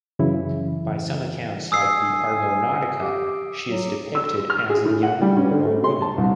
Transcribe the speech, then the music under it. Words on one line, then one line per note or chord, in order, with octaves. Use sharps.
By some accounts, like the "Argonautica", she is depicted as a young, mortal woman.
F#2 C#3 E3 E4
G#5 D#6 E6 C7
G4
F#3
E6
F6
G#4
A2
F#5
G3
C#4
D3
A3
C6
A5
C2